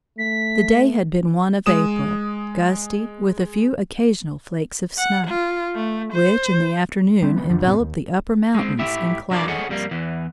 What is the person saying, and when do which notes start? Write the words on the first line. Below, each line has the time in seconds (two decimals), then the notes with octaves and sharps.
The day had been one of April; gusty, with a few occasional flakes of snow; which, in the afternoon enveloped the upper mountains in clouds.
0.18 A3 B6
1.66 G#3 D#6 E7
4.98 F#5
5.28 F4
5.75 A3
6.14 C5
7.22 G3 C4
7.36 D#3 E3 G3 B3
7.49 F2 D3 F3
7.64 E2 A2 C3 B3
7.80 D#2
8.55 G#3 C4
8.79 A2 E4 G4 E5
9.31 F#3 D4 E4 F4 A#4 D5
9.48 G#4 A4 C#5 D#5 F#5 G#5
9.69 F2 G3 A#3
9.91 E2 E3